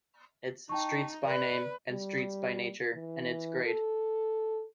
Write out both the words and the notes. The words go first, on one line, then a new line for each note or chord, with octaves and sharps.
It's Streets by name, and streets by nature, and it's great.
D#4 G5 A5 C#6
B4 D5
G3
E3
A4